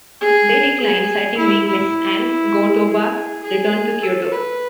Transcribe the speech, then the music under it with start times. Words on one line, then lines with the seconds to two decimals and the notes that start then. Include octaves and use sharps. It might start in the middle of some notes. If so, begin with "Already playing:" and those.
They declined, citing weakness, and Go-Toba returned to Kyoto.
0.21 G#4
0.80 G#4
1.38 E4
1.68 E4
2.85 G#4
3.43 G#4
4.03 A4
4.32 B4